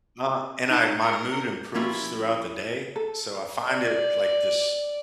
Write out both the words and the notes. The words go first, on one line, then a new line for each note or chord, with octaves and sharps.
uh, and I my mood improves throughout the day, so I find it, like, this
D#4 A5
A#4 C#7
F3 A#3 C#4 E4 F4 G4
A4
D5